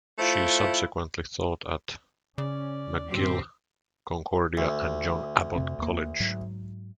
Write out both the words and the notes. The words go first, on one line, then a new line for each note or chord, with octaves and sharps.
She subsequently taught at McGill, Concordia and John Abbott College.
A3 E4 F4 C5
C#3 C#4 D5
A2 D3 F#3 C4 G4
D2
F2 C3 C4
D#2 A#3
G#2 F#3